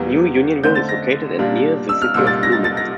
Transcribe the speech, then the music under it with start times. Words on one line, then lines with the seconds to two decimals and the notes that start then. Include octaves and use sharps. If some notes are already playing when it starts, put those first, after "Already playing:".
New Unionville is located at near the city of Bloomington.
Already playing: E2 E3 G3 A#3
0.63 D3 A3 C4 G6
0.75 A6
0.89 A#6
1.38 A#2 G3 A#3 D4
1.89 E6
2.02 F6
2.14 C2 A#2 G3 E6
2.27 A6
2.43 A#6
2.52 A6
2.64 A6
2.77 A#6